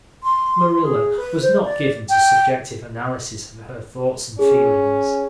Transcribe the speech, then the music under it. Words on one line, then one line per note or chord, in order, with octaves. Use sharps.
Marilla was not given to subjective analysis of her thoughts and feelings.
C6
G#4
B4
C5
D5
G5
C#4 G#4